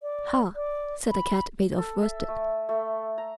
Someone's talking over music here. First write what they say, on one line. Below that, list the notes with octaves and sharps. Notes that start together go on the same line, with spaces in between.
"Ha!" said the Cat-made-of-worsted.
D5
D5
B5
A4
E5
A3
A3
A#5